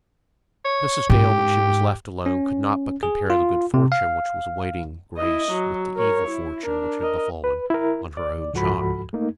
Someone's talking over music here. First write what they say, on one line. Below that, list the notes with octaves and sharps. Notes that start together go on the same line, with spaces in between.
Mrs. Dale when she was left alone could not but compare the good fortune which was awaiting Grace, with the evil fortune which had fallen on her own child.
C#5
G#2 C#4 G4
C#4
G#4
F4
C3
F5
E4 D#5
F#3
A#4 C#5
E4
D4 A#4
A#4 D#5
B4
E4 A#4
D5
C#2 G#2 F3 F#4 A4 B5
A3 A#3 D#4